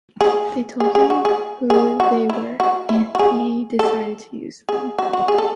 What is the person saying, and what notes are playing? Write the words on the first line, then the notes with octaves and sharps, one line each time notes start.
They told him who they were, and he decided to use them.
G#4
G#4
G#4
F#4
G#4
G#4
F#4
E4
F#4
E4
F#4
G#4
A4
G#4
F#4
F#4
G#4
A4